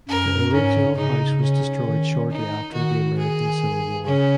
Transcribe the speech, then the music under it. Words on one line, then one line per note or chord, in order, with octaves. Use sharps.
The original house was destroyed shortly after the American Civil War.
F#2 A#4
G#2 C#4
C#3 D#4
C#4
D#3
D#4
D#3 F#4
G#4
C#3 C#4